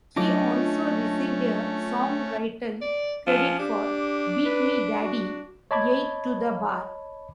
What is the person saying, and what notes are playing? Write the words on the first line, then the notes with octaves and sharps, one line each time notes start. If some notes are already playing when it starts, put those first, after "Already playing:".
He also received a songwriting credit for "Beat Me Daddy, Eight to the Bar".
F#3 A3 C#4 D4 F4 D#5 A5 D6
D5
F3 C#4
D4 G4
B4
F#4
C#5 D#5 A5 B5 D6 G#6